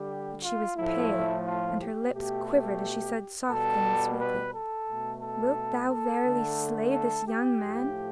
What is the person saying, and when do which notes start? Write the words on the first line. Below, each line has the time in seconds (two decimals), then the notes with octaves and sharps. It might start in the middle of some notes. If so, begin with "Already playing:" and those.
But she was pale and her lips quivered as she said softly and sweetly: "Wilt thou verily slay this young man?"
Already playing: D3 G3 G4
0.43 F4
0.76 A2 F3 A3 E4
1.45 F4
1.80 G4
2.13 B2 A3 G4
2.48 G4
3.50 B2 G3 A4
4.19 B4
4.53 A4
4.87 B2 A3
5.21 A4
5.89 A4
6.23 D3 A3
6.92 A4
7.27 G4
7.60 A2 F3 A3